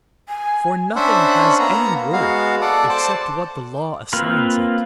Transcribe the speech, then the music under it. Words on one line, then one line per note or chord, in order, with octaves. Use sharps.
For nothing has any worth except what the law assigns it.
G#5
C#4 D4 C5 E5 F#5 B5
A#3 B3 A#5
G#3 B3 F#4 F5
A4 D5 F#5
C5 D5 A5
A#3 C4 F4 B4